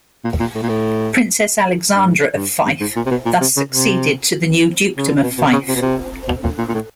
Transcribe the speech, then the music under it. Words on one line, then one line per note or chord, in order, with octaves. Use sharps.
Princess Alexandra of Fife thus succeeded to the new Dukedom of Fife.
A#2
A#2
A2
A#2
A2
G2
G#2
G2
G2
G#2
A#2
C3
B2
A#2
C3
C#3
C3
C#3
D3
B2
B2
C#3
C3
B2
C3
B2
A#2
A#2
A#2
A2